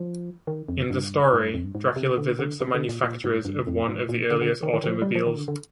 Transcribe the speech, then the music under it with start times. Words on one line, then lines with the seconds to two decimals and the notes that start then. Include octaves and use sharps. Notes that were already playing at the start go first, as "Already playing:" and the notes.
In the story, Dracula visits the manufacturers of one of the earliest automobiles.
Already playing: F3
0.47 D#3
0.69 F2
0.90 G2
1.33 G#2
1.43 G2
1.54 F2
1.64 G2
1.75 G#2
1.96 C3
2.18 D3
2.39 D3
2.61 C3
2.74 D3
2.89 A#2
3.03 A#2
3.24 G#2
3.45 G2
3.67 F2
3.88 G#2
4.09 A#2
4.31 D3
4.41 D3
4.63 D#3
4.73 D#3
4.84 D#3
4.87 F3
5.02 G3
5.15 F3
5.26 D#3
5.37 D3
5.48 D3